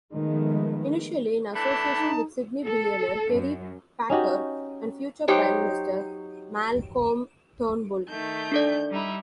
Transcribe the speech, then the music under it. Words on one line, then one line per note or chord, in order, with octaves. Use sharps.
Initially in association with Sydney billionaire Kerry Packer and future Prime Minister Malcolm Turnbull.
D#3 F3 G#3 A3 B3
E3 A3 D4 A5 B5
D#4
A4
F#2
C#4 D#4 F#4 G4
F#3 D#4 G4 C5 C#5
D#3 A3 G6
D4 A4 D5
G3 D#4 E4